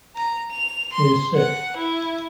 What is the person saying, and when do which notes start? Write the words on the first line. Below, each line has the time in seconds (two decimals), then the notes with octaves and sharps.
She is sick.
0.16 A#5
0.52 F7
0.93 C6
1.36 F#5
1.77 E4